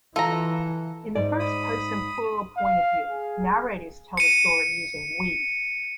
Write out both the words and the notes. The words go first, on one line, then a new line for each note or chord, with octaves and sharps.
In the first-person-plural point of view, narrators tell the story using "we".
E3 F4 A4 A#5
G#2 D5
B5 D#6
F5
G#4
C#7 D#7